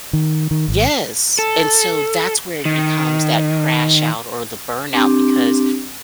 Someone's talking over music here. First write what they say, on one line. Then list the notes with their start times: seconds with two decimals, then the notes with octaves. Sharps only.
yes, and so that's where it becomes that crash out, or the burnout because
0.13 D#3
0.51 D#3
0.68 G#1
1.39 A4
2.65 D#3
4.94 C4 D4 G4